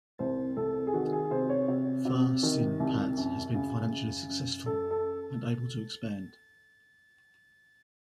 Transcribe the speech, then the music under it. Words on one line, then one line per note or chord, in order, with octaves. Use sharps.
FaSinPat has been financially successful and able to expand.
C2 C5
C2 A4
G#4
D#3 F#4
G#4
C3 C5
C#5
C3
C3
D#3
C2
F#2
C#3
F#2
F#2
F#2 A4
A4